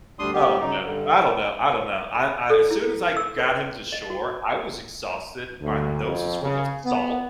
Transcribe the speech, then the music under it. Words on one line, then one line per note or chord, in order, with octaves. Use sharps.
Oh, no. I don't know, I don't know, I uh, as soon as I got him to shore, I was exhausted, my nose is full of salt,
D2 G3 D4 C6 D#6
G3 B3 G4
C#3 F#3 D#4
G2 D3
B5
A4
E4
E6
B4
D#5
F#4
D2
F2
C#3
B3